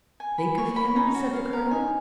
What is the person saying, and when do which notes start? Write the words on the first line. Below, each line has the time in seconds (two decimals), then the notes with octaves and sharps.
"Think of him?" said the colonel.
0.20 G#5
0.38 B5
0.58 C#5
0.76 B5
0.95 C#4 D#4
1.14 F#4
1.33 F5
1.53 A#4
1.71 D#4 G#5